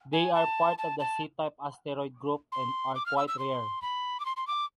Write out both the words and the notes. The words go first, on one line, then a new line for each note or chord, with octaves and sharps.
They are part of the C-type asteroid group and are quite rare.
G#5
A5
A5
A5
C6
D6
F6
E6
E6
C6
B5
D6
C6
C6
D6